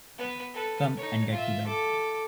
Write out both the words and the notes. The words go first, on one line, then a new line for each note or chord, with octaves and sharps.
Come and get to bed.
B3 B4
A4 B4
D#4 C#5
F4 E5
A4 D6